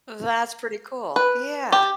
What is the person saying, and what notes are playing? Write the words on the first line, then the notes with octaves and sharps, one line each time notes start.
That's pretty cool, yeah.
B4
G4